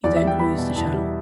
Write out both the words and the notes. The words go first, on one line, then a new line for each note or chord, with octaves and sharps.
He then cruised the Channel.
E2 D5
E5
G3
G5
B3 B5
B2
E2 A5
G3